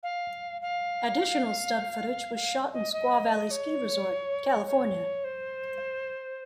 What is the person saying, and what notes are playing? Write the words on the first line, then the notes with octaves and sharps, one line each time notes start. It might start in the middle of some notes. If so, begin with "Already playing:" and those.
Additional stunt footage was shot in Squaw Valley Ski Resort, California.
F5
F5
F5
D#5
D#5
C#5
C#5
C5